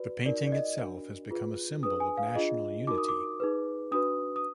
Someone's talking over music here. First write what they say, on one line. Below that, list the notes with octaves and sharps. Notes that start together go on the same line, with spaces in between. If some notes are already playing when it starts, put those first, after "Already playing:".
The painting itself has become a symbol of national unity.
Already playing: F#4 B4 D5
D#4 F#4 A#4 D5
D5
D#5
D4 F#4 A#4
F4 G#4 B4
D4 G#4 B4 D#6
G#5
F5
D4 F4 G#4 D#5
D#4 F#4 A#4 D6
D#6
D6
D#4 G#4 B4
D4 F#4 B4 D#6
D#6